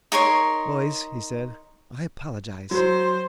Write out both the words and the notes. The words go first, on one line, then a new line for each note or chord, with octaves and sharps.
"Boys," he said, "I apologize."
D#4 A#4 C#5 C6
F#3 C5